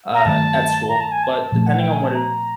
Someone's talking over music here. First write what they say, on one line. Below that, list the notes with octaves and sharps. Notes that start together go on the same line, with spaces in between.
uh, at school. But depending on what it
A#5
G2 D#3 F#3 A3 A5
A#5
A5
G#5
A5
A#2 F3 A3
F#5
G5
G#5
A5
A#5